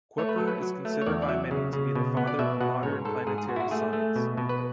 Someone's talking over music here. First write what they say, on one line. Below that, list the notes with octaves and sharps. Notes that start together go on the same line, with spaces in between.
Kuiper is considered by many to be the father of modern planetary science.
A3 C#5
B4
F#3 A4
B4
F#3
A3
C#5
E2 D5
D5
F#3 E5
C#3
C#3
B2
B3
D5
B2 E5
B2 F#5
G#2 C#5
G#2 A4
G#2 G#4
G#4
G#2 F#4
E4
F#4
A3 G#4
A3
B2
B2
B4